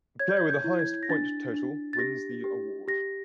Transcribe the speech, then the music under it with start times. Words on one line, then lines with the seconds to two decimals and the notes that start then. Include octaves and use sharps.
The player with the highest point total wins the award.
0.20 C#5 G#6
0.29 G6
0.37 G#6
0.50 G6
0.64 E4
0.79 G#6
1.03 A#6
1.09 D4 A6
1.54 D4
1.93 A6
1.99 G4 A#6
2.44 G4
2.88 G4 A#6